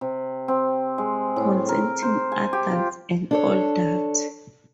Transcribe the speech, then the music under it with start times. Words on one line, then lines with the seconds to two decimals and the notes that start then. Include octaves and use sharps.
Consenting adults and all that.
0.01 C3
0.48 C4
0.98 G#3
1.36 A2
1.69 A#4
2.03 C5
2.32 G#5
2.53 G4
2.71 F4
3.31 D4 A4 C#5